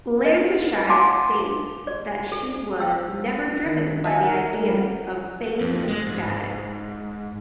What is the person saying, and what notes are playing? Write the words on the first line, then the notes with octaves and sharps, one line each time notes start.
Lancashire states that she was never driven by the ideas of fame and status.
D#5
F5 F#5 G#5 A5 C6 D6
D5
A4
G5 E6
D#3
D#5 E5 G#5
A#4 F#5
G3
F2
G#3
G#2